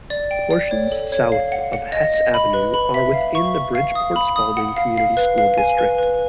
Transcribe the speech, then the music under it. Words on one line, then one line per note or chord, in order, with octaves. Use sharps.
Portions south of Hess Avenue are within the Bridgeport-Spaulding Community School District.
D5
G5
D5
C#5
A4
C#5
F5
F#5
F#5
D#5
D#5
B5
B4
B5
E5
F5
C#6
C#6
F5
D#6
B5
D#6
F#5
F5
F5
B4
F5
G#5
B4
B4